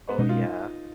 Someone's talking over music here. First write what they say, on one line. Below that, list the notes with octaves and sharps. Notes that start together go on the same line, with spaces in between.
Oh, yeah?
B3
B2 G#3 C#4 D#4
F4